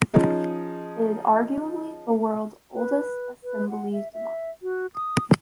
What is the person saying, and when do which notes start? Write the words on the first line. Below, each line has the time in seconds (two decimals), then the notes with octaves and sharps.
It is arguably the world's oldest assembly democracy.
0.14 F3 C#4 D#4 G#4
2.74 B4
3.44 B4
3.70 F#5
3.92 E5
4.13 E5
4.63 F#4
4.95 D#6